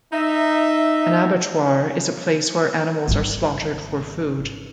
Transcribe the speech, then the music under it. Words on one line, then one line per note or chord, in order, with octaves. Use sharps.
An abattoir is a place where animals are slaughtered for food.
D#4 E5
G#1 G3